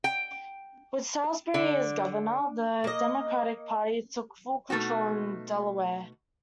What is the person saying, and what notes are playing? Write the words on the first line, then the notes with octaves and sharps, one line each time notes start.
With Saulsbury as governor, the Democratic Party took full control in Delaware.
G5
D3
A#3 D#5
B2 A3 D#4 F#4